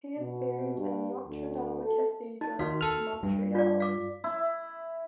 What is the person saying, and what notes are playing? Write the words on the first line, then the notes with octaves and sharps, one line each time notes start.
He is buried in Notre Dame Cathedral, Montreal.
B2
G2
D2
A4
D#4
D#3 F#4 F5
A4 F6
G2
F4 D5
F5 D6
E4